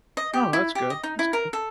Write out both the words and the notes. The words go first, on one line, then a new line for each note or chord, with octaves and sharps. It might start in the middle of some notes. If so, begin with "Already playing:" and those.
Oh, that's good, that's good.
D#5
G4
E4
G4
D#5
D#4
E4
A#4
A4